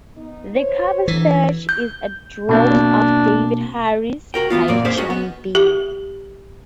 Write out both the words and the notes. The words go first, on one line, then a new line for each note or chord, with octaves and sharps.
The cover sketch is a drawing of David Harris by Joan Baez.
B3 D#4
C5 C#5
G1 D2 E3 F#3
G6
B2 A#3 C4 D4
C2 F#4 A#4 G5
E3 G#3 B3 F4
F#2 A#2 A#3 C4 D5
A#3 C#4 G#4 C5 E5 F5
C#4 F#4 D#5
B3
G4